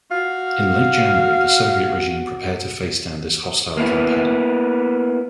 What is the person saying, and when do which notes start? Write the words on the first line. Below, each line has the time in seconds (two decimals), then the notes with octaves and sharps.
In late January the Soviet regime prepared to face down this "hostile campaign".
0.11 F#4 F5
3.77 A#3 B3 E4